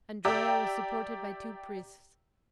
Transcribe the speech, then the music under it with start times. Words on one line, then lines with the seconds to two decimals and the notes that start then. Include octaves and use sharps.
Andrea was supported by two priests.
0.25 G4 D5 E5 G5 A#5 E6